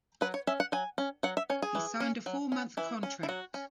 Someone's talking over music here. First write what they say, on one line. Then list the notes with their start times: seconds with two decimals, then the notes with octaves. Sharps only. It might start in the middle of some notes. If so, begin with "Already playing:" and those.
He signed a four-month contract.
0.21 F#3 B4
0.34 C#5
0.47 C#4 E5
0.60 F#5
0.72 F#3 G#5
0.98 C#4
1.23 F#3 F#5
1.37 E5
1.50 C#4 C#5
1.62 G#4
1.75 E3
2.00 C#4
2.26 F#3
2.52 C#4
2.77 E3 E4
3.03 C#4
3.23 E4
3.29 F#3 F#4
3.54 C#4